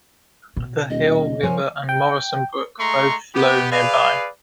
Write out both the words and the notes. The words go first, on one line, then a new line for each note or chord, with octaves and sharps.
The Hill River and Morrison Brook both flow nearby.
B2
D#1 D#5
F3 A#4 C#5 G#5
G5
G#3 A3 A#5 C6 C#6
B3 G4
G#4 B4 D5 F5